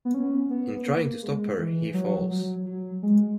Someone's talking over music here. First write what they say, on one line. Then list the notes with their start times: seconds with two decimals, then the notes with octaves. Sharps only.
In trying to stop her he falls.
0.05 B3
0.14 C#4
0.50 B3
0.75 B3
0.86 A#3
1.22 G#3
1.58 E3
1.94 F#3
2.31 F#3
2.66 F#3
3.03 G#3